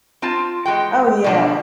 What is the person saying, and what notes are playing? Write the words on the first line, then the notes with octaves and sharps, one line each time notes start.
Oh, yeah.
C4 F4 A5
E3 G#3 F#4 G5
B2 F3 D4